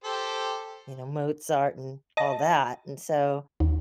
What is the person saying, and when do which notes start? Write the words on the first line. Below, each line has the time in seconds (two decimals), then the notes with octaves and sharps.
you know, Mozart and all that and so
0.04 G4 A4 C5
2.17 D#5 A5 A#6
3.60 D#2